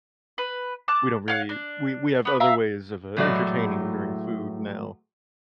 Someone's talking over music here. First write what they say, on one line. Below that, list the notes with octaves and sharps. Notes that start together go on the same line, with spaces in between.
we don't really we we have other ways of, uh, entertaining during food now
B4
A5 D6 F#6
C#5 F5 F#5
D4
B3 B4
E5 F5 A#5
A2 E3 F#3 G#3 A3 D5